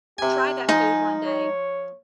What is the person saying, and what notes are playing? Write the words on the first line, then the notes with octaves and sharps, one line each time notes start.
try that food one day.
C3 G4 G#5
F3 D#4 G#5
C#5